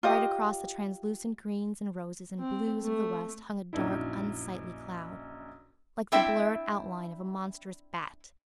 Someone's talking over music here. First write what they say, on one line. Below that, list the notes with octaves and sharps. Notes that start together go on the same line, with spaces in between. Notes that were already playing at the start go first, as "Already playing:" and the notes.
Right across the translucent greens and roses and blues of the west hung a dark, unsightly cloud, like the blurred outline of a monstrous bat.
F4 G4 D#5
C4
A3
A#1 F#2 D#4 E4
C4 D4 E4 E5 G5